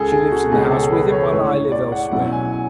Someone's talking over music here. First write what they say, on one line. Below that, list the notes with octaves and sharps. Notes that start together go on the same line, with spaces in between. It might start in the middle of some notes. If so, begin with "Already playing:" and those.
She lives in the house with him, while I live elsewhere.
Already playing: C#2 C#3 G#3 G#4 A4
G#4
F#4
C#2 B2 G#3 C#4 G#4
A4
B4
C#5
A1 A2 G#3
D5
F#5
B1 B2 F#3 C#4 E4 F#5
G#5
G#5